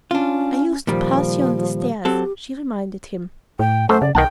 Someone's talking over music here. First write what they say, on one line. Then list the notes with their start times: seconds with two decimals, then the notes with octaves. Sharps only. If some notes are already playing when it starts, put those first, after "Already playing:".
"I used to pass you on the stairs," she reminded him.
0.11 C#4 D4 F4
0.87 A#2 D#3 F3 G3
2.05 F#3 C4 G4 A4
3.59 A2 G5
3.89 F#2 A3 F#4 A4 C5
4.02 C#3 D5
4.15 B1 D#3 F#5 G5 A5